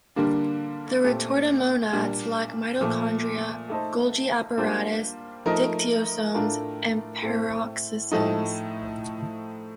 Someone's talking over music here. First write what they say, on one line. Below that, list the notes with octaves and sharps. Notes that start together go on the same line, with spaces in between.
The retortamonads lack mitochondria, golgi apparatus, dictyosomes, and peroxisomes.
D3 G3 A#3 D4
A#2 A3 C4 G4
A#2 G3 A#3 D4
A#2 F3 A3
A3 D#4 A4 C5
G3 A#3 D4 F4 C5
F3 A3 D#4 A#4
A2 A3 D4 F4 A#4
A2 A3 C4
A2 F3 A3 D#4